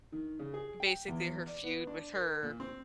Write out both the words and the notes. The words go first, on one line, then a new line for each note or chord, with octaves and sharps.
basically her feud with her
D#3
C#3
G#4
G5
E2
D5
B3
D4
A#4
A#2
C4